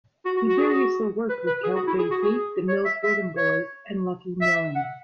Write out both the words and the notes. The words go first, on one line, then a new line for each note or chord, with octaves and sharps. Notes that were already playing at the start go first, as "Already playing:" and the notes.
He variously worked with Count Basie, the Mills Rhythm Boys and Lucky Millinder.
F#4
F#4
F#4
G#4
F#4
B4
B4
G#4
F#4
E4
G#4
F#4
G#4
C#5
E5
E5
C#5
E5
F#5